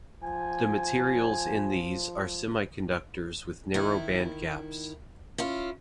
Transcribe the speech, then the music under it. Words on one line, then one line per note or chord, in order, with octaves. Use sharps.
The materials in these are semiconductors with narrow band gaps.
F3 G#5
D#3 E4
C#4 E4 F4